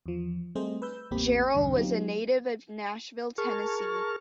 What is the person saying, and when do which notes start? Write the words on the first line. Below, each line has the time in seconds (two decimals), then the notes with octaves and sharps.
Jarrell was a native of Nashville, Tennessee.
0.06 E2 F3
0.55 G3 A3 C4 G#4 C5 D#5
0.82 B4 E6 G6
1.11 A1 E2 A#3 C4 G4 B5
1.55 B1 E2 G2 D3
1.75 F#3 B3 D#4 F4 G4
3.38 G#4 A#4 A5 C#6 F6